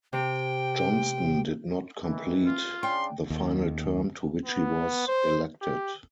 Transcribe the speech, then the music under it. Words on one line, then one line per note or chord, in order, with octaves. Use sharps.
Johnston did not complete the final term to which he was elected.
C3 G5
D#3 E3
F4
C#3 D4 G5 C6
D#2
B3
C5
G4